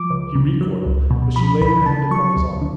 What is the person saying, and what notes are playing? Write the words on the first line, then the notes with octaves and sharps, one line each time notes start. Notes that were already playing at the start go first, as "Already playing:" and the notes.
He recoiled, but she laid her hand upon his arm.
Already playing: F3 D6
C#2
C#3
F#3
C#2
B2
F3 B5
D2 B5
C#3 A5
F#3 C#6
D2
D3